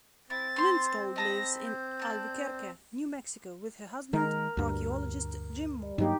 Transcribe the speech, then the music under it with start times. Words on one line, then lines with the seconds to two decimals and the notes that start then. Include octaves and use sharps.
Lindskold lives in Albuquerque, New Mexico, with her husband, archaeologist Jim Moore.
0.30 C4 E4 A6
0.56 C5 C6
1.16 D#5 A5 B5 A#6
1.66 G6
1.99 D5 A5
4.13 D#3 G#3 A#4
4.57 D2 G2
5.98 G2 F#3 A#3 D#4 G4